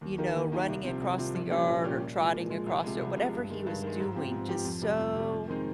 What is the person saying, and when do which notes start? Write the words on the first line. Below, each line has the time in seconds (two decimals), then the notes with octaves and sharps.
you know, running across the yard or trotting across it, whatever he was doing, just so
0.01 D#2
0.18 D#3 A#3 D#4 G4
0.35 D#2
0.52 D#3 A#3 D#4 G4
0.68 C2
0.85 C3 F3 C4
1.01 C2
1.18 C3 F3 C4
1.35 A#1
1.50 A#2 G3 C#4 G4
1.68 A#1
1.84 A#2 G3 C#4 G4
2.00 A#2
2.18 F3 G#3
2.33 A#2
2.50 F3 G#3
2.66 C2
2.84 C3 F3 G#3
2.99 C2
3.16 C3 F3 G#3
3.33 G2
3.50 D#3 G#3
3.67 G2
3.83 D#3 G#3
4.00 G#2
4.16 F3 C4 G4
4.32 G#2
4.49 F3 C4 G4
4.65 F2
4.82 C3 G3
4.99 F2
5.15 C3 G3
5.32 F2
5.48 D#3 G#3 C4 D#4